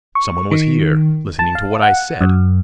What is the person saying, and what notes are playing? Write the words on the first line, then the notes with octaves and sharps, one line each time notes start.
Some one was here--listening to what I said!
C#6
D#3
A5
F5
F#5
F#2